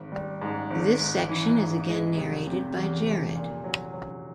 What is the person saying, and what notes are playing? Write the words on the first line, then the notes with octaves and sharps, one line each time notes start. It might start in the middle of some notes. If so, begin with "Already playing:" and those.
This section is again narrated by Jared.
Already playing: G#1
G3
G#2
G#1
G#2
E3
G#2
G#3
F1
C3
E2
F1
A#2
F#3
F#3